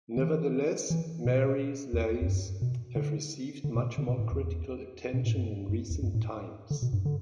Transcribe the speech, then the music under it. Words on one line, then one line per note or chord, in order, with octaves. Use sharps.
Nevertheless, Marie's lais have received much more critical attention in recent times.
D3
E3
E3
B2
E2
E2
G2
B2
D3
D3
B2
D3
B2
A2
E2
B2
A2
G2
G2
E2
G2
A2
D3
B2
G2
D3